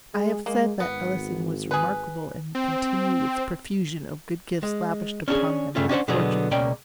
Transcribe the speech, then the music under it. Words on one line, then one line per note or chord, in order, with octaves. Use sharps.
I have said that Ellison was remarkable in the continuous profusion of good gifts lavished upon him by Fortune.
G#3
G#3 A#3
G#1 B3
G#4 B4
C4
G#3
C#4 D4 G4 G#4
G2 C#3 A3 C#4 F4
C#4 D4 G4 C5 F#5
B2 D3 F#3 B3 G#4
C#2 B2 A#3 C#4 D5 G5